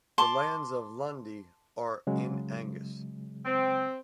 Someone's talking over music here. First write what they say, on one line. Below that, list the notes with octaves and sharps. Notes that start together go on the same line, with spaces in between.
The lands of Lundie are in Angus.
A5 C6 D6
C#3 F#3 G#3
C4